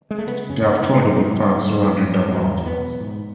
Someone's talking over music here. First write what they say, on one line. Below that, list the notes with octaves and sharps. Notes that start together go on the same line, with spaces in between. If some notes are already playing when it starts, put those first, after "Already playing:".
They have foldable fans surrounding their mouths.
G#3
A3
C#3 B3
F#2 C#4
C#3 B3
G#2 G#3
G#2
G#2
G#2
G#2
G#2
E2 F#3
E2
B3
B2
G#2